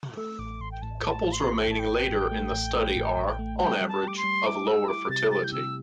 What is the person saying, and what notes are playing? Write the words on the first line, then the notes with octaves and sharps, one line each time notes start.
Couples remaining later in the study are, on average, of lower fertility.
A3 E6
A1 D6
A1 C6
G5
A2 A5
A1 A5
A1
C6
A1
G5
A1 A5
G5
A1
A1
A3
A1
A3
A1
A1
A3
G3 G5
G3
A5
G4 D6
C6
G3
E4 D6
G4 E6
E4 D6
C3 A6
G4 A6
G6
C3 E6